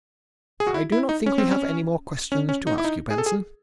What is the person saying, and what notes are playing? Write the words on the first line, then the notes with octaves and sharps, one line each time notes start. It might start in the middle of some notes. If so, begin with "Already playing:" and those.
"I do not think we have any more questions to ask you, Benson."
G#4
F#4
E4
E4
D#4
C#4
C4
C#4
C#4
C#4
D#4
E4
D#4
G#4
A4
G#4